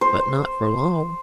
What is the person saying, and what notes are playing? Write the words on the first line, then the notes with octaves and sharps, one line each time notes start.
But not for long.
C5